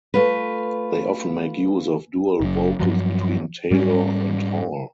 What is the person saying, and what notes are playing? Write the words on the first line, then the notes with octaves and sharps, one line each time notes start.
They often make use of dual vocals between Taylor and Hall.
A3 F4 B4
F#1 F#2
G2 F3 F#3
G#2 G3 A#3 C#4